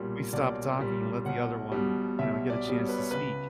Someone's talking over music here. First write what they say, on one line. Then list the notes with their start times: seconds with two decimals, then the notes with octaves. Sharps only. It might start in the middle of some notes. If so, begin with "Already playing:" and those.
we stop talking and let the other one, you know, get a chance to speak.
Already playing: B1 A#2 G3
0.33 B1 D5
0.79 A#2 G3
1.25 B1 F#5
1.72 B2 G3
2.19 B1 E5
2.50 D5
2.65 B2 G3
2.80 C#5
2.89 B4
2.98 C#5
3.11 C#2 B4